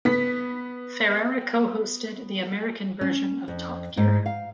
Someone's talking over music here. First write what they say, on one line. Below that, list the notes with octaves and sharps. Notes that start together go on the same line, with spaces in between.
Ferrara co-hosted the American version of "Top Gear".
B3 B6
C#4
F2
G#2
F5